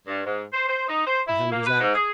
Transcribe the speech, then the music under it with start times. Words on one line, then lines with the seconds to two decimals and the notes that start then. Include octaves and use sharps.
The hand is out.
0.06 G2
0.24 G#2
0.52 C5
0.67 C5
0.87 D#4
1.04 C5
1.26 E4
1.50 A#3
1.66 B4
1.80 G#2
1.94 G#4